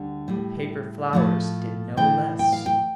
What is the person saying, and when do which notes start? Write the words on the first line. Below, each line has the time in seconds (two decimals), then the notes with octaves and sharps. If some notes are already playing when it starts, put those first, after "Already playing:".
The paper flowers did no less.
Already playing: D2 D3 G3
0.28 A2 G3
1.13 A2 F3 A3
1.97 A2 E3 A3 G5
2.39 G5
2.52 F5
2.66 G5